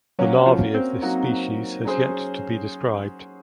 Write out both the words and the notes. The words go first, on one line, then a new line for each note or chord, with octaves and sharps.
The larvae of this species has yet to be described.
F#3 A#3 C#4 F#4
F3
C4
F#3 A#3 D#4 F#4
F#3 C#4 G#4 C5